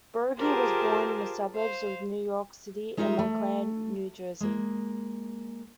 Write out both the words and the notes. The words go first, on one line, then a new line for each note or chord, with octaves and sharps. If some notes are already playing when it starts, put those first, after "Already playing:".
Burgi was born in the suburbs of New York City in Montclair, New Jersey.
F4 G4 G#4 A#4 C5 A5
C5 F5
G#3 D#4 F4 A#4 D5 E5
A3
G#3 A#3